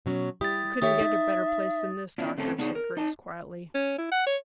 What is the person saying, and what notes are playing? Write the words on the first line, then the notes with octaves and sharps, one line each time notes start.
"You couldn't get a better place than this, doctor," said Griggs quietly.
B2 F#3 C#4
G3 E4 G4 D#6 A6
D#3 G4 C#5 E5 D#6
D#4
B3 C#4 D4 E4 F4
A3 C4 C#4 A4 B4 C5
B3 D4 D#4 G#4 A#4 C#5
A#4
D#4 D#5 A5
C#4
E4
F#5
C#5